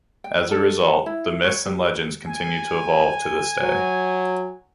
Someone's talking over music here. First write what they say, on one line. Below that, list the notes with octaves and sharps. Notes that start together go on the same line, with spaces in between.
As a result, the myths and legends continue to evolve to this day.
G5
A4
F#5
E4
C#5
G4
G#5
F#3